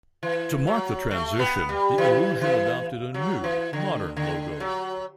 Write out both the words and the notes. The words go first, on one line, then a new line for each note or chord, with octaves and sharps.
To mark the transition, the Illusion adopted a new, modern logo.
E3
F#3
A3
B3
G3
E3
E3
F#3
E3
D3
D3
F#3